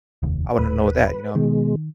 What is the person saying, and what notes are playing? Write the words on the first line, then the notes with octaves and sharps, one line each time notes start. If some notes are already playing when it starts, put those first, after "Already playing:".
I wanna know that, you know, and
F1 D#2
D#1 B4
B2 D#3 G#3